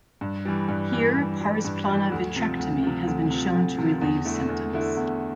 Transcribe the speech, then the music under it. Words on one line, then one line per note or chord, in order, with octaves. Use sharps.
Here pars plana vitrectomy has been shown to relieve symptoms.
G2
E3 G3
G2
E3 G3
G2
E3 G3
G2
E3 G3
D2
C3 F3
D2
C3 F3
D2
C3 F3
D2
C3 F3
E2
D3 A3 E4
E2
D3 A3 E4
E2